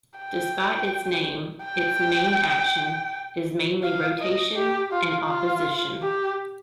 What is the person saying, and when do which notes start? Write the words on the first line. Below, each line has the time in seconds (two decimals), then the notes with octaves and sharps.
Despite its name, its main action is mainly rotation and opposition.
0.20 G5
1.65 G5
3.83 F5
4.20 D#5
4.56 G4
4.93 F4
5.29 F4
6.03 G4